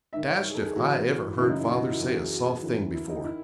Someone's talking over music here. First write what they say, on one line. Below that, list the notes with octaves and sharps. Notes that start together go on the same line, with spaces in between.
Dashed if I ever heard father say a soft thing before.
G#2 D#3 E5
C#5
G#4
A4
G#4
A2 E3 F#4
F#2 C#3 E3 E4
D#4
E4
F#4
D#4
E4
F#2 E3 F#4
G#4
F#4
F#2 E3
E4
D#4
D#3 E4